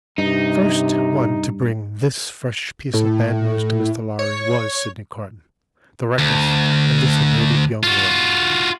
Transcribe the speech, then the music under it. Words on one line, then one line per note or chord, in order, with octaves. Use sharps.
The first one to bring this fresh piece of bad news to Mr. Lorry was Sydney Carton, the reckless and dissipated young lawyer.
G2 C3 D#4
A2
C#5
D2
F4 F#4